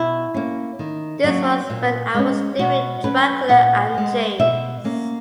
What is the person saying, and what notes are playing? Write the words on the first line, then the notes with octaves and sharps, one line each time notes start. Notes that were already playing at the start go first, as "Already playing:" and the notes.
This was when I was doing Dracula and chains.
Already playing: B2 E4
A#3 C#4
D#3
F#3 A#3 C#4
A#2
G#3 C#4
B2 F#4
F#3 C#4 B4
A#2 F#5
G#3 B3
B2 E5
A#3 C#4